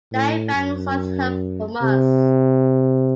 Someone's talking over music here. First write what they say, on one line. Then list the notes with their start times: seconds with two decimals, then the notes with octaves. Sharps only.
Daifang sought help from us.
0.12 A2
0.55 F#2
1.82 C3